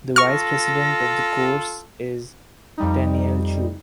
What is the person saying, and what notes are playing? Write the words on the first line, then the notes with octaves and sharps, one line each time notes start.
The vice president of the course is Tenniel Chu.
F4 A4 C#6 F6 A#6
F2 G3 D#4